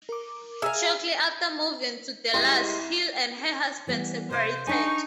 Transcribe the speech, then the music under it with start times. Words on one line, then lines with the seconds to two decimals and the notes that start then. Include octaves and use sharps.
Shortly after moving to Dallas, Hill and her husband separated.
0.09 A#4 D6
0.62 G#4 E5 F5 G#5 A#5 E6
2.34 C2 G#3 E4 G4 D#5 C6
3.87 E3 G3 B3
4.30 C3 C5 D#5 F5
4.67 D4 D#4 D#5 G#5 C#6